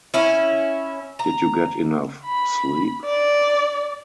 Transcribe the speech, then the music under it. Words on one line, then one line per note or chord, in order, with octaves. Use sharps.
Did you get enough sleep?
C#4 E4
A#5
B5
D5